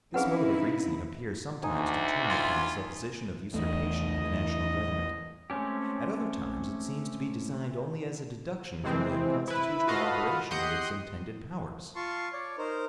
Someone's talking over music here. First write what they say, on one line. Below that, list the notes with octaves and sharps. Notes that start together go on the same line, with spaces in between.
This mode of reasoning appears sometimes to turn upon the supposition of usurpation in the national government; at other times it seems to be designed only as a deduction from the constitutional operation of its intended powers.
C4 C#4 D#4 E4 G#4 B4 F5 F#5
D2 D#4 G#5
F4
E2 A3 D#5
G#3 A3 C4 C#4 G4
C3 E3 G#3 C4
E4 B4
F4 F#4 A4 B4 D#5 F5
G4 D#5 F#5 C6 G6
F4 A5 C6 C#6
C#5 D5
D#4 A#4 C5